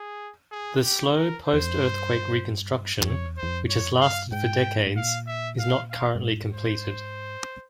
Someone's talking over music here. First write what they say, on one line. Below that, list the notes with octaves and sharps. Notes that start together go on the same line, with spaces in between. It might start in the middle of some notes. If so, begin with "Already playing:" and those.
The slow post-earthquake reconstruction, which has lasted for decades, is not currently completed.
Already playing: G#4
G#4
G4
A#4
C5
E2
F2
G2
E2
F2 C#5
E2
C5
E2
F2
G2 C#5
F2
G2
F5
G#2 G5
G#2
A#2 F5
E5
F5
F5
G2
G#2
C5